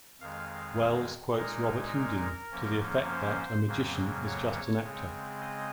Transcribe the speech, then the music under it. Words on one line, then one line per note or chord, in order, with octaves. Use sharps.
Welles quotes Robert-Houdin to the effect that a magician is just an actor.
F2 D#3 G#3 F5
A#2 G#3 D#4 A#4
A#4
F#2 F3 A#3 C#4
C5
F2 C#3 F#3 A#3
C#5
C#3 G#3 C4
D#5